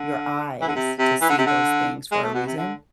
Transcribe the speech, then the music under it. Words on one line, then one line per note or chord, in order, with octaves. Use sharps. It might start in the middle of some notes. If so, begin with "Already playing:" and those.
your eyes to see those things for a reason,
Already playing: D3
E3
D3
C3
C3
E3
D3
C3
D3
G#3
A3
B2
C3
D3